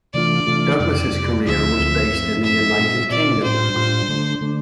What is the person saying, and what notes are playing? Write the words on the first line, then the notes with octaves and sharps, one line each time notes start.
Douglas's career was based in the United Kingdom.
C3 E3 A3 D4 F4 D5
C3 E3 A3 D4 F4
F2 C3 G3 D5
F2 C3 G3
D2 D3 F3 C4 F4 E5
D2 D3 F3 C4 F4
G2 F3 C4
G2 F3 C4 E5
A#2 G3 C4 F4
A#2 G3 C4 F4 D5
A2 G3 D4 F4 C5
A2 G3 D4 F4
D3 A3 D4
D3 A3 D4